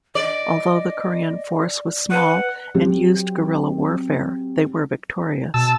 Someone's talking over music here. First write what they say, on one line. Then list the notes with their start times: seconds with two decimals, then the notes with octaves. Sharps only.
Although the Korean force was small and used guerrilla warfare, they were victorious.
0.15 D5 D#5
2.11 B4 F#5
2.74 F#3 C4 G4
5.54 B2 A5 E6